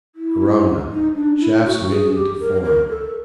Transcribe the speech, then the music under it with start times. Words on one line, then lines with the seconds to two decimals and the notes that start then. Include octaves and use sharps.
Corona: shafts meeting to form.
0.15 E4
0.90 D#4
1.14 D4
1.40 E4
1.65 F#4
1.90 G#4
2.14 G4
2.40 A#4
2.64 A#4
2.89 A4